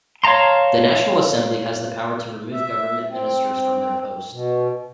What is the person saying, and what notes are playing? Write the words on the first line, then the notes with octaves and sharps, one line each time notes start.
The National Assembly has the power to remove government ministers from their post.
C#5 F5 A5 A#5 C6
E5
C4
B2